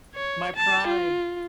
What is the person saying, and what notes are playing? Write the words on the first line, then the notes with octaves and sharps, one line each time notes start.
My Pride!
C#5
A5
F4